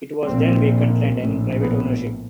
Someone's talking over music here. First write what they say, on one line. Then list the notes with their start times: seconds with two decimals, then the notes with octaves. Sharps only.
It was then vacant and in private ownership.
0.24 A#1 A#2 C4
1.15 A#1 A2
1.61 B3